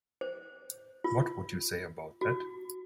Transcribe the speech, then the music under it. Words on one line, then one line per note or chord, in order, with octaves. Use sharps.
What would you say about that?
C5
F4
F#4